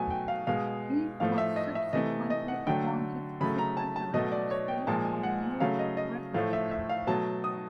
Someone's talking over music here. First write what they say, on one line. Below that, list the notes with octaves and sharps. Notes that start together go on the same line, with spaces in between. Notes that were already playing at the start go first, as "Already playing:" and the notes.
He was subsequently appointed Secretary of State for the new republic.
Already playing: B2 F#3 A3 G#5
G5
F5
B2 G#3 F5
A2 F3 A3 F5
E5
D#5
E5
C3 E3 A3 D#5
D#5
F#5
D3 F#3 A3 G5
C#3 F#3 A3 B5
A#5
A5
A5
B2 F#3 A3 D#5
D5
C#5
G5
A#2 F3 G#3 A5
G#5
F#5
C#3 F#3 A3 F5
D#5
D#5
A2 F3 A3 F5
E5
E5
F5
B2 F#3 A3 A5
D#6